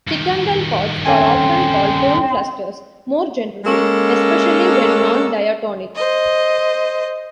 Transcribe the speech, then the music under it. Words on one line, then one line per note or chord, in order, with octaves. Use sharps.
Secundal chords are often called tone clusters more generally, especially when non-diatonic.
G2 D#3
C4 C#4 A4 G#5
G#3 A#3 C#4 A4
C5 D#5